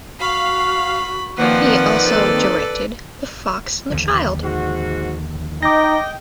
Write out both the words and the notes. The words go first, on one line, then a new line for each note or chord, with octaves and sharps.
He also directed "The Fox And the Child".
F#4 F5 B5
D#3 F3 A#3 C4 B4 D5 F#5
D#4 A4
D#2 D3 F3
G#2 F#4
D#4 D#5 G5 D6 A#6